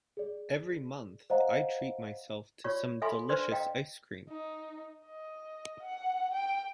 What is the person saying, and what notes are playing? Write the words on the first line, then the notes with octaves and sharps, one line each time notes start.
Every month, I treat myself to some delicious ice cream.
G#4 D5
C5 D5 D#5 F5 F#5 A#5
F4 C#5 D5 C#6
A4 E5 F5 G#5 B5 C6
D4 B4 C5 D5 C6
D#5 F5 G5 A#5
D#4
D#5
F#5
G5